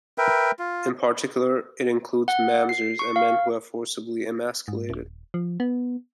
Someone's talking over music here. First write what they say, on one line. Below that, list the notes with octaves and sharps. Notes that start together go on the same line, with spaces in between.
In particular, it excludes "mamzers", and men who have been forcibly emasculated.
A#4 B4 E5 G5
F4
F#5
C7
C#6
F5
G#2
D#1
F3
B3